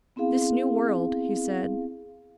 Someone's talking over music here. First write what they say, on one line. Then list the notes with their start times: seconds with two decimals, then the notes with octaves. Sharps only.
"This new world," he said.
0.16 B3 C4 E4 G#4 F5